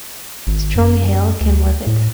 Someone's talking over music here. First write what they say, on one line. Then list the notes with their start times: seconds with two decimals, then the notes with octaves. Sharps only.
Strong hail came with it.
0.47 G#1
0.76 F#2
1.41 D2
1.87 A2